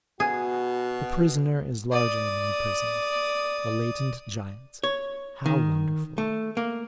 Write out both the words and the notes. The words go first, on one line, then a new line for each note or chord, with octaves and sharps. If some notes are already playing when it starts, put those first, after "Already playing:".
The prisoner is larger than the prison. A latent giant! how wonderful!
B2 F#4 G#4
D5 D#6
C#5
D#3
A3
A#3